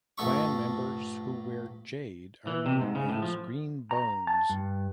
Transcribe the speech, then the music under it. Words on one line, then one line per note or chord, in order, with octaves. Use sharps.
Clan members who wear jade are known as Green Bones.
A#1 G2 A3 E5 C#6
E3
C3
G#2
C#3
A2
F3
A#5
A5
G2